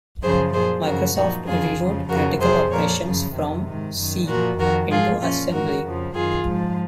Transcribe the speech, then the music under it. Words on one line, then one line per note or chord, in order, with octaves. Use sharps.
Microsoft rewrote critical operations from C into assembly.
F#2 C#3 F3 G#4 C5
A#2 F3 G#4 C5
F#2 C#3 F3 F#4 A#4
A#2 F3 D#4 F#4
F2 C#3 F3 F4 G#4
F2 C#3 F3
F2 C#3 F3 F#4 A#4
F2 C3 F3 G#4 C5
A#2 F3 A#4 C#5
F#2 C#3 F3
F2 C3 D#3
G#2 D#3
F#2 D#3
A#2 F#4 A#4
F3
F2 D#3 F#4 A#4
G#2 F3 F4 G#4
A#2 F3 C#4 F4
G#2 D#3 F#4 A#4
F2 C#3 F3
F#2 D#3 F4 G#4
G#2 F3